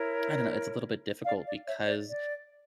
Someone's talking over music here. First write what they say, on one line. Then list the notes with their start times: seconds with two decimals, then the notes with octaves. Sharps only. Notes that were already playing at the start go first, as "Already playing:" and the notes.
I don't know, it's a little bit difficult because
Already playing: E4 A#4 C#5
1.26 D5 F5
1.46 D5
1.65 C#5 E5
1.86 D5
2.07 D5